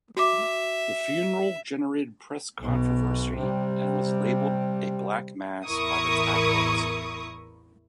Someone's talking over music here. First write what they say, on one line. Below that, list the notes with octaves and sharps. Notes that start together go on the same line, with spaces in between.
The funeral generated press controversy, and was labelled a Black Mass by the tabloids.
F#4 E5 D6
B1 B2
C3 G3
A1 E2 E4 A#4 C#6 D#6